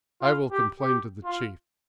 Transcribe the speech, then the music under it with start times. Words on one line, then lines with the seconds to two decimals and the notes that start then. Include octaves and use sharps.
I will complain to the Chief.
0.22 F4
0.51 G4
0.80 G4
1.25 F4